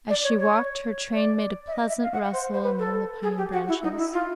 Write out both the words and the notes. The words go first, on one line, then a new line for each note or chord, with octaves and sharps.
As she walked, her train made a pleasant rustle among the pine branches.
D5
C#5
C#5
D5
E5
D#5
E5
F5
F#5
F#5
C5
C5
B4
A4
G#4
G4
F#4
E4
D#4
E4
F4